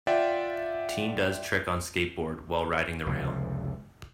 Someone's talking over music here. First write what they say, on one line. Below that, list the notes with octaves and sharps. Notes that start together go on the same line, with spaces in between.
Teen does trick on skateboard while riding the rail.
F4 D5 E5 F#5 G5
F1 C#2